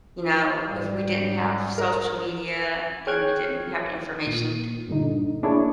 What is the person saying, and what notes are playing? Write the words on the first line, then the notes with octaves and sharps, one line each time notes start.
you know, w if we didn't have social media and we didn't have information
G#2 G3
A#4
G#4 C#5 G5 F6 F#6 G#6
A#2 D#7
G2 A#2 D3 D#4
A#3 D4 E4 G#4 C#5